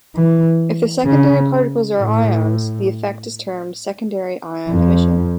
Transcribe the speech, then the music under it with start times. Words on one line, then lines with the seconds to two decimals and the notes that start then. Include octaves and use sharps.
If the secondary particles are ions, the effect is termed secondary ion emission.
0.16 E3
1.06 C#3
1.97 A2
4.69 F2